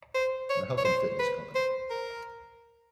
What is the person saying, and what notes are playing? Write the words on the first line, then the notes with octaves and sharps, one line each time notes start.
A health and fitness company.
C5
C#5
C#5
C5
B4
C5
A#4